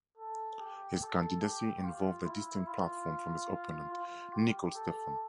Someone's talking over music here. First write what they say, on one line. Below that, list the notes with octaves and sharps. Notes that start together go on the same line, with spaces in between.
His candidacy involved a distinct platform from his opponent Nicol Stephen.
A4
G4
A4
G4
F4
E4
F4
F4
G4
A4